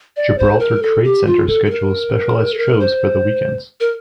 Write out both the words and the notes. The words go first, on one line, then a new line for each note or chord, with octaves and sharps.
Gibraltar Trade Center schedules specialized shows for the weekends.
D5
C5
A#4
A4
G4
F4
A4
A4
A#4
A4
A#4
C5
A#4